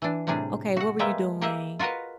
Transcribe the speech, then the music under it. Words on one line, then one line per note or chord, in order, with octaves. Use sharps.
"Okay. What were you doing?
E3 D4
A2 C3 G3 D4 G#4
F#4 F#5
G3 G#3 A#3 B4 E5 G5
A#3 G4 G#4 D#5 E5
F4 F#4 A#4 B4 D#5